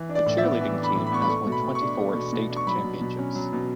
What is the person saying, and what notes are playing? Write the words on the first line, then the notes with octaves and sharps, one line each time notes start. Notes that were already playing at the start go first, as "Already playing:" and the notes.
The cheerleading team has won twenty-four state championships.
Already playing: E3
D4
D5
A2
E5
B3
E3
D4
B5
A2
B5
B3 C#6
B5
A3 C#6
B2
B5
B2
C#6
D4
A3
B2
B2
D4
C#6
F#3 B5
B2
B2
C#4
F#3
B2